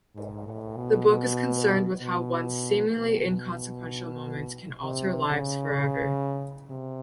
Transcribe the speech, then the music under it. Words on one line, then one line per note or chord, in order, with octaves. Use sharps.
The book is concerned with how one seemingly inconsequential moment can alter lives forever.
G#2
A2
B2
B2
B2
B2
C3
C#3
C3